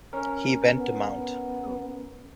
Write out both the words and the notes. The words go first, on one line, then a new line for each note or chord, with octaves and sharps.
He went to Mt.
C#4 A#4
B3